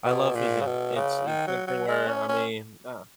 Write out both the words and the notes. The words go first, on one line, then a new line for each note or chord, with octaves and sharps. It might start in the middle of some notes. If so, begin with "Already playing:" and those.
I love fishing. It's it's something where, I mean, uh
B2
A#2
C#3
B2
C#3
D#3
F#3
F#3
G#3
C#4
C#4